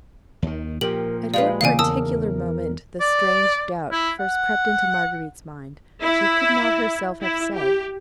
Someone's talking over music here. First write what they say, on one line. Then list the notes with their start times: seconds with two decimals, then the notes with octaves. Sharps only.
At what particular moment the strange doubt first crept into Marguerite's mind, she could not herself have said.
0.42 D#2 D#3
0.81 A#2 F3 G4 A#4 F#7
1.34 G#3 G4 B4 D5 F5
1.61 D#2 C#3 E3 D5 F5 G#5
1.79 E2 A#4 A5 D#6 E6
3.01 D5
3.92 E4
4.20 F#5
6.01 E4
7.22 E4
7.54 G4